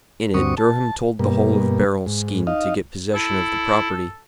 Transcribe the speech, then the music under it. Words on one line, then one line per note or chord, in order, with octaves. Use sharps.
In it Durham told the whole of Beryl's scheme to get possession of the property.
D2 G2 C4 F#4 C#6 D#6
A5
G2 B2 A#3
G#2
D#4 D#5 F5
E4 A4